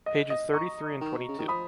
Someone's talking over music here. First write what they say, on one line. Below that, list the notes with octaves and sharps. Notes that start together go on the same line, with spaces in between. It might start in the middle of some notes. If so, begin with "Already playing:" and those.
Pages thirty-three and twenty-two.
D#5
D#5
A#5 C#6
D#3
B2
C#3
D#3
F3 B5 D#6